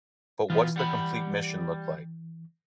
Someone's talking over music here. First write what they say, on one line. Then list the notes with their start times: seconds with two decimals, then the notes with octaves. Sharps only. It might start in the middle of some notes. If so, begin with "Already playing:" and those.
But what’s the complete mission look like?
0.50 B2 E3 B3 F4
0.76 G3 F#5 B5